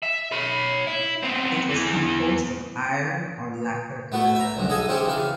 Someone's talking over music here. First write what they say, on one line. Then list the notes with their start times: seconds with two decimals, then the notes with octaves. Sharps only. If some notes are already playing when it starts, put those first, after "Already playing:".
It was composed of iron or lacquered leather.
0.03 E5
0.32 C#5 B5
0.87 E4
1.23 B3 C4
1.69 E2 E3
4.12 A3 B3 F#4
4.35 E5 A#5
4.57 C2 F#2 D3
4.69 B1 G#4 A4 D#5 G#5
4.89 E3 C4 C#4 G4 G#4
5.06 C#3 E3 F5